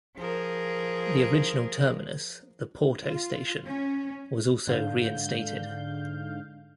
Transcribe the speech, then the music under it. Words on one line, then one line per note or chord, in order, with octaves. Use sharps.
The original terminus, the Porto station, was also reinstated.
F3 G#4 A#4
F4
C#4
G#2 D3 F5 G6